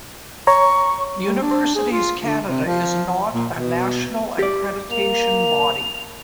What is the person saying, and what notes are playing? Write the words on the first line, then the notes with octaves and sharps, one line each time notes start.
Universities Canada is not a national accreditation body.
C#5 A#5 C#6
G3
D4
G#4
F4
D3
C3
F3
A#2
B2
G4 D5
A#3 F7